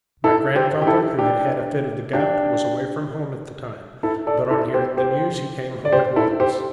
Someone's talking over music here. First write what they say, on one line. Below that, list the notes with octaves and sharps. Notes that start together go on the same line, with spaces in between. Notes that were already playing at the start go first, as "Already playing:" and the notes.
My grandfather, who had had a fit of the gout, was away from home at the time, but on hearing the news he came home at once.
E4 A4
G4 C5
G4
E4 A4
D4 G4
D4 G4
E4 A4
A4 D5
E4 A4
G4 C5
G4 C5
D5
G4 C5
E4 A4
G4 C5